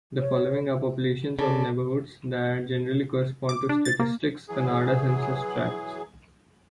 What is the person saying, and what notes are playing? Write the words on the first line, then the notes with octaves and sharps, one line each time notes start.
The following are populations of neighbourhoods that generally correspond to Statistics Canada census tracts.
C#5
C#3 A4 D5
D6
D4
A6
A#3
E3 F#3 G#4